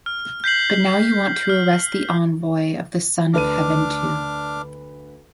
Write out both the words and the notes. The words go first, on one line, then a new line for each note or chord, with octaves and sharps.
But now you want to arrest the envoy of the Son of Heaven too.
F6
G6 B6 C7 F#7
F6
D2 D4 B4 D6 F6 D#7